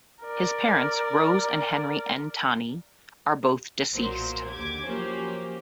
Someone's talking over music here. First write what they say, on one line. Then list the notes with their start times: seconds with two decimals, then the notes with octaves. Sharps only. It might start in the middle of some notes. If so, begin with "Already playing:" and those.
His parents, Rose and Henry N. Tani, are both deceased.
0.25 A#4 D5
3.93 B1 A#2 F#3 A#4 C5
4.50 D#2 D3 G4 D6 G#6
4.87 F3 F#3 A#3 C#4 G4 C5